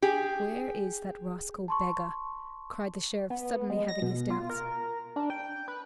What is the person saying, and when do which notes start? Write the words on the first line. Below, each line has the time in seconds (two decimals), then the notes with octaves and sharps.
"Where is that rascal beggar?" cried the Sheriff, suddenly having his doubts.
0.02 G4 G#4
1.68 A5 C6 C#6
3.30 B3
3.70 G#3
3.88 A#6
4.02 B2
4.30 F4
4.50 A#4
5.16 D4
5.30 G5
5.68 B4